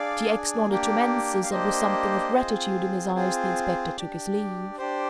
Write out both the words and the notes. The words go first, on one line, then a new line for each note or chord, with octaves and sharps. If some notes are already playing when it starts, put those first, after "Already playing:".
T. X. nodded to Mansus and with something of gratitude in his eyes the inspector took his leave.
Already playing: D4 G#4 D5 F5
A#3 D4 G4
F5
A#3 D4 G4 C5 D#5
C4 F4 G#4
C4 F4 G#4
D4 G4
D4 G4 C5